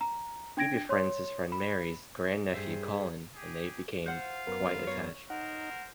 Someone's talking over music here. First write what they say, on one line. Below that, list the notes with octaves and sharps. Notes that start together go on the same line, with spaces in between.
He befriends his friend Mary's grand-nephew, Colin, and they become quite attached.
A#5
D4 G5 G#6 A#6 D7
C#5 C6
B5
G2 G#4 C5 E5
G4 G#4
F4 C5 F5 F#5
F#2 B3 A#4
C#5
D#4 A#4 C5 F#5